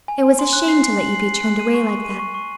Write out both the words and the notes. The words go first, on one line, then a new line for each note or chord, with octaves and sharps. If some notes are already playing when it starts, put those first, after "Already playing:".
It was a shame to let you be turned away like that.
G#5
G#5
C6
F#6
C7
C7
F#7
C7
C7
F#6
D#7
C#6
C#6
D#7
C#6
C#6